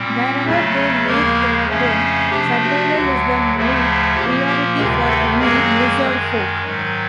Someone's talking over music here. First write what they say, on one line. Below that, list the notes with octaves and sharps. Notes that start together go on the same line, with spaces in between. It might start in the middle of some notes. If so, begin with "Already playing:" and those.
Wherever they make their home, survival is the main priority for any lizardfolk.
Already playing: A#2 G3 C4
E2 C#3 F#3 A3
D#2 C#3 F3 G#3 A#3 A#4
F2 C#3 F3 A3 C#4
C3 F3 A3 D4 G4
F#4
D2 D3 F#3
D2 C#3 F3 A3
A#2 F3 A#3 G4
G4
D2 C3 D#3 G#3 G#4
A3 A4
F#2 D#3 F#3 G#3 A#3 G#4
F#2 D#3 G#3
G#2 D#3 F#3